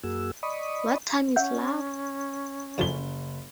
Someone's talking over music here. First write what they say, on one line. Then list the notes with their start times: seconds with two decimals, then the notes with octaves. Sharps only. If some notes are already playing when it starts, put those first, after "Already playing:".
What Time Is Love?
0.04 F#2 A#3 F#4 G#4 E6
0.43 D5 D#5 B5 C#6 D#6
1.36 C#4 E5 F#5 G6
2.78 F#1 D3 E3 F3 G7